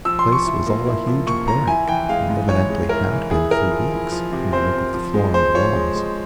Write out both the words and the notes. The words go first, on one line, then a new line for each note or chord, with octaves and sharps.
The place was all a huge barrack, and evidently had been for weeks, from the look of the floor and walls.
F3 E6
C6
F3
C#6
E4
A#3
E4
F3
A#3 C#6
F3 A#5
E4 G#5
E3 G5
G#3 F5
G#2
E3 C#5
G#3
E4 A#4
E3
E4 G#4
E4 A#4
F3
E4
F3
C3
C4 C5
C4
F3
G#3
G#3 C5
F3 C#5
G#3
G#3